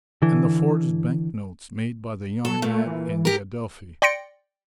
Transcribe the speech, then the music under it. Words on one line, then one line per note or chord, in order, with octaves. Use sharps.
"And the forged banknotes made by the young man in the Adelphi?"
D3 E3
F#3 A4
A#2 A3
E3
G4 A#4
D5 G5 C6 A#6 C#7 D7